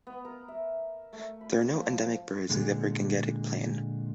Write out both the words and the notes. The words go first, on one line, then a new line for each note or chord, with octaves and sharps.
There are no endemic birds in the upper Gangetic Plain.
B3
A#4
E5
A3
B5
F3
A#2 D3 G#3